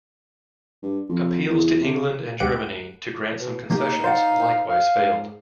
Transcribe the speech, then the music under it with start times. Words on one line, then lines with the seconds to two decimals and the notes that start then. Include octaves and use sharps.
Appeals to England and Germany to grant some concessions likewise failed.
0.83 G2
1.09 F2
1.50 E2
1.81 C3
2.40 D2 G#2 G4 F#5 B5 D7
3.40 B2
3.71 A#3 D#4 G4
4.04 C5 D5 F5 F#5
4.68 F5
4.98 G#2